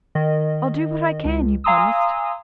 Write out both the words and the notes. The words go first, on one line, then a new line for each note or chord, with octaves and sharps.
"I'll do what I can," he promised.
D#3 D#5
C#2
F5 G#5 A#5 C6 D#6 E6